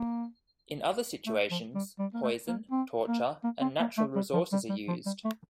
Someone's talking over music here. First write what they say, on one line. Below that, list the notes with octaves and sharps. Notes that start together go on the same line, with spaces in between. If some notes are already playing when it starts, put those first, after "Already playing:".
In other situations, poison, torture and natural resources are used.
Already playing: A#3
A3
F3
G3
G3
A#3
A3
A#3
C4
A#3
A#3
C4
A#3
A3
G3
F3
G3
G3
F3
G3
A3